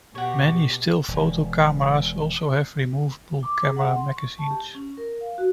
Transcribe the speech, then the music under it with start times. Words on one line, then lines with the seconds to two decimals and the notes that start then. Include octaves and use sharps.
Many still photo cameras also have removable camera magazines.
0.15 B2 G4 C#5 F#5
1.08 E1
3.43 D6
3.64 G#4
3.76 F#5
3.96 C6
4.17 C#6
4.39 A5
4.51 G4
4.75 C#4
4.98 A#4
5.21 F5
5.38 F#4